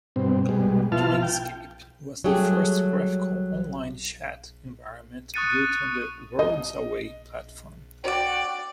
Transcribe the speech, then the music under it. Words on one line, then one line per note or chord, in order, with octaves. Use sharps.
"Dreamscape" was the first graphical online chat environment built on the WorldsAway platform.
G2 B2 C4
B2 G3 G#3
B2 F3 E4 F4 A5 F6
G5
F#3 G3 A3 G4 G#4
C#6 D#6 F#6 A6 C#7 D#7
D#5
F#4 D5 G5